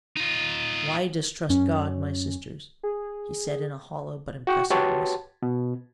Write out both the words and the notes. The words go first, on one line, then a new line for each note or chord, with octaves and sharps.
"Why distrust God, my sisters?" he said, in a hollow but impressive voice.
D#4 F4
F#2 C#4
G#4
F#4 G5 C#6
F#4 G4 B4 C#5 A5 C6
B2